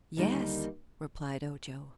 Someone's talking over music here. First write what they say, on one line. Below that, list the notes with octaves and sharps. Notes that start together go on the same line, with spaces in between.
"Yes," replied Ojo.
D#2 D3 G3 A#3 D#4